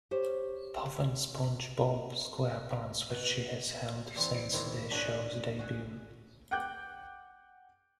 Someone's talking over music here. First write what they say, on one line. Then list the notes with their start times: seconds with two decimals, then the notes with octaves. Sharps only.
Puff in "SpongeBob SquarePants", which she has held since the show's debut.
0.11 G4 C5 C#5
3.10 B2
4.15 E2 C4 D5 E5
4.52 G#2 D#3 C4 E4
4.91 D4 D#4 F#4 G#4 C#5
5.59 F#4 G#4 E5
6.51 F#5 G5 D6 F#6 G6